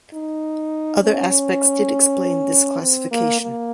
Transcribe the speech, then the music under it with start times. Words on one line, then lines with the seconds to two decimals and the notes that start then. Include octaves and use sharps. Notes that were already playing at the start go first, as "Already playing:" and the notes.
Other aspects did explain this classification.
0.13 D#4
1.03 C#4
2.81 C4
3.11 A#3
3.40 A#3